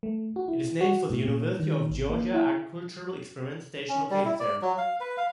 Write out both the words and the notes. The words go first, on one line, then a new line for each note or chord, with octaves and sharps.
It is named for the University of Georgia Agricultural Experiment Station located there.
A3
F#4
E4
F#4
A2
A#2
D#3
G#1
A#3
E4
C#4
G3
E4
D5
F#3
F5
B4
F5